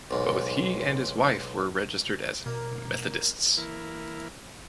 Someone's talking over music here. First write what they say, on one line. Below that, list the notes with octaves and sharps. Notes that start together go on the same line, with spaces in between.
Both he and his wife were registered as Methodists.
B1 G#2
B2 A#3
E3 A#3 E4 A#4